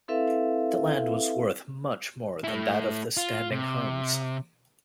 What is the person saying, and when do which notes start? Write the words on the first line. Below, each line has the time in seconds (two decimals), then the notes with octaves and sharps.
The land was worth much more than that of the standing homes.
0.08 C4 E4 A4 B4 E5 F5
2.44 A3 E4
3.17 F4
3.51 C3